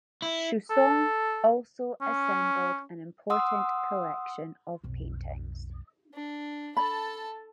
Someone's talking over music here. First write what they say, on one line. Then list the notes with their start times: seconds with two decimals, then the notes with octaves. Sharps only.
Chausson also assembled an important collection of paintings.
0.22 E4
0.70 A4
2.01 C#4
3.30 F#5 C6 D#6 E6
4.84 B1 F2
6.14 D4
6.77 A4 A5 B5